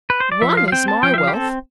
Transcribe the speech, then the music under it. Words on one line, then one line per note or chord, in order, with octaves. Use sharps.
ONE is my wealth!
B4
C5
D5
F3 E5
F5
F5
C4 G5
A5
F3 G5
E5
F5
G4
C4 A4